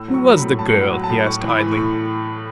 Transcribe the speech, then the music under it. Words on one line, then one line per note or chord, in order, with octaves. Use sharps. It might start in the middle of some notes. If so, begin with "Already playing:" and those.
"Who was the girl?" he asked idly.
Already playing: A2 E6
F#3
C#6
F#3
A2 B5
A2 A5
F#3
F#5
F#3
A5
A2
A2 C#6
E3
B5
E3
C#6
A2